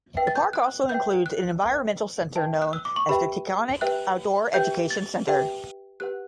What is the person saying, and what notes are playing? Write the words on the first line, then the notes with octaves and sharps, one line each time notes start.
The park also includes an environmental center known as the Taconic Outdoor Education Center.
B4 E5 G5
A6
G6
F#6
B4 E5 G5 G6
F#6
B4 E5 G5
B4 E5 G5 A5
F#6
E6
D6
C#6
G4 B4 E5 G5 B5
G4 B4 E5 G5 F#6
G4 B4 E5 G5 G6
A6
G4 B4 E5 G5
G4 B4 F#5 F#6